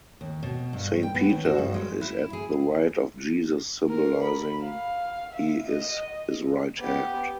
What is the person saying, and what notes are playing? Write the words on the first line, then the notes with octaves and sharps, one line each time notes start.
Saint Peter is at the right of Jesus symbolizing he is his right hand.
D#2
B2
G2
G5
B3
D#2
F#4
G2
G#3
E4
G#4
A#4
B5
F5
E5
D#5
B3 G4